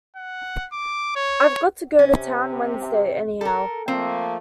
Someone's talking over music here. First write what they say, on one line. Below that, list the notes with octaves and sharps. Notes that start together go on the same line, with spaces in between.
I've got to go to town Wednesday, anyhow.
F#5
D6
C#5
C3 C#4
A4 A#4
F3 A3 A#3 C4